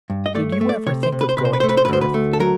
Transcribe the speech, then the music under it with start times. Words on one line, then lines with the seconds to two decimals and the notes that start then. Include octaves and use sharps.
"Did you ever think of going to Earth?"
0.10 G2
0.26 D#5
0.35 A3 D5
0.52 C#5
0.61 A3
0.69 D5
0.86 C3 C#5
1.03 C5
1.12 C3
1.21 B4
1.29 C5
1.37 C3 B4
1.45 C5
1.53 B4
1.60 A3 C5
1.69 B4
1.77 C5
1.85 B4
1.88 D2 C5
2.01 B4
2.14 A3
2.33 A4
2.40 F#3 A#4